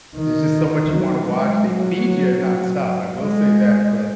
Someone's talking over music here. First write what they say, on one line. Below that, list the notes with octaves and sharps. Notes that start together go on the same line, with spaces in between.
there's just so much you wanna watch. They feed ya nonstop, I will say that, but
D#3
F#3
G#3
F#3
G#3